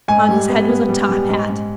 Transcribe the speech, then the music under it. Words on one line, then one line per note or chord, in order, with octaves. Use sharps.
On his head was a top-hat.
G#2 G#5
G3
B3
B3
G3
G3
G#2
G#2